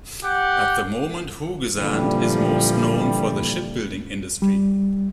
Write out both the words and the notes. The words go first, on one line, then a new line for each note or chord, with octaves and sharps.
At the moment Hoogezand is most known for the shipbuilding industry.
G4 F#5
A#2 D3 E3 F3 G3 A#3
G3